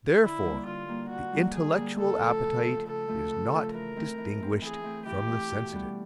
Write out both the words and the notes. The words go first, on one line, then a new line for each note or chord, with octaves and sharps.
Therefore the intellectual appetite is not distinguished from the sensitive.
D3 E4
G3 A#3
D3 F4
G3 A#3
D3 F#4
G3 A#3
D3 G#4
G3 A#3
C#3 A4
F3 A3
C#3
F3 A3
C#3 A4
F3 A3
C#3
F3 A3
E3 A#4
A3 C4
E3
A3 C4
E3 G#4
A3 C4
E3 G4
C4
A3
B2
G3 B3